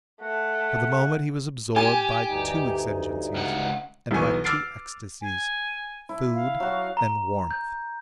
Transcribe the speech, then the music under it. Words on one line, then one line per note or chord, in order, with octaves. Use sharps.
For the moment he was absorbed by two exigencies and by two ecstasies--food and warmth.
A3 F#5
G4 G#5
D2 G2 D#4
C#2 F#5
B1 E2 B3 G#5 C#6
D6 E6 F6 A6 C7 D7
G#5
E4
F5
F#3 F#4
A#5
G6